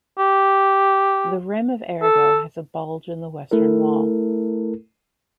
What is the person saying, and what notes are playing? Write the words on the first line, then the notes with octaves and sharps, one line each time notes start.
The rim of Arago has a bulge in the western wall.
G4
A4
A3 E4 A4 A#4